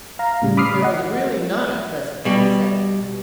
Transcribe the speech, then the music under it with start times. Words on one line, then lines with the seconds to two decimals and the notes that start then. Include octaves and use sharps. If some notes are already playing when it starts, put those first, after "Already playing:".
But there was really none at present, she said.
0.19 F5 A#5
0.42 A2 C#3 G3
0.57 B5 D6 D#6 F6 C7
0.82 D#5 F#5
2.25 B2 G3